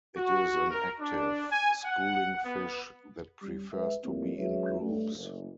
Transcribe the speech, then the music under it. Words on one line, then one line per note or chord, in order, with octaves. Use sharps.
It is an active, schooling fish that prefers to be in groups.
F#4
A#4
D4
G#5
F#5
B3
G3 C#4
G#3 B4 E5
F2 A2 G3 A#3 C4
F#3 G#3 C#4 B4 C#5 E5
G2 A3
F#1